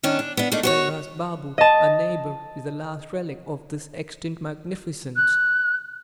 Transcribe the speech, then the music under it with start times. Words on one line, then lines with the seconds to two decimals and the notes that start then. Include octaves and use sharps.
Kailas Babu, our neighbour, is the last relic of this extinct magnificence.
0.03 D#3 C#4 D4
0.19 D4
0.37 B3 D4
0.52 A3 A#3 D4 D#4
0.63 F#4 C5 C#5
1.58 D#5 A5
5.16 F#6